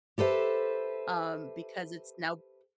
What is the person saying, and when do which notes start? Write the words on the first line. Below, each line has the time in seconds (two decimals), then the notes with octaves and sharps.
um, because it's now
0.18 G4 A4 B4 C5 E5